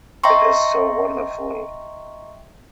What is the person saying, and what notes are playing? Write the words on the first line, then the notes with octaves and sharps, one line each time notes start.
It is so wonderful.
D#5 E5 G5 A#5 C6 C#6